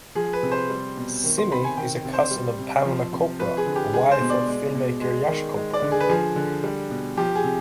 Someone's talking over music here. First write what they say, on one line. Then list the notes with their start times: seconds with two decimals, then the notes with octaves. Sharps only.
Simi is a cousin of Pamela Chopra, wife of film-maker Yash Chopra.
0.15 F3 G#4
0.33 B4
0.43 C3
0.52 C5
0.70 G3
0.97 B2
1.24 D#3
1.38 C6
1.51 C3 B5
1.64 G#5
1.77 D#3 G5
2.05 C3
2.13 C5
2.31 G3
2.59 C3
2.85 F3
3.13 C3
3.39 F3 B4
3.57 G#4
3.66 D3
3.76 G4
3.93 G#3 G#4
4.11 C5
4.21 B2
4.30 D5
4.47 G#3
4.75 B2
5.01 G#3
5.28 D#3
5.56 G#3
5.74 D5
5.82 D3
5.91 G#4
6.00 B4
6.09 F3 G#4
6.36 D3
6.64 G3
6.90 B2
7.17 F3 G4
7.35 G#4
7.44 C3